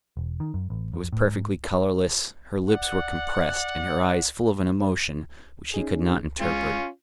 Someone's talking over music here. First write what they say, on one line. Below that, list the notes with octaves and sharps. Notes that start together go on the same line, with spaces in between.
It was perfectly colourless, her lips were compressed and her eyes full of an emotion which he could not interpret.
E1
D#3
F#2
A1
F2
A2
G#2
D5 F#5
C#4 D#4 G#4
G#3 C#4 F4